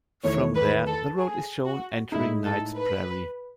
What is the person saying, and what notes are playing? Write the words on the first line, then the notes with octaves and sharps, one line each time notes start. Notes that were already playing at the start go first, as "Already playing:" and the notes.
From there, the road is shown entering Knight's Prairie.
E2 D#3 A3 C#5
B4
A4
G#4
F#4
A2 G#3 D#4 E4
A4
B4